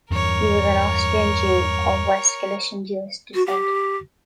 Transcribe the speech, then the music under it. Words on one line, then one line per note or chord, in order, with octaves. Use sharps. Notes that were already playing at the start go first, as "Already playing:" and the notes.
He was an Austrian Jew of West Galician-Jewish descent.
E2 G2 G3 A#4 C#5
F#4
G4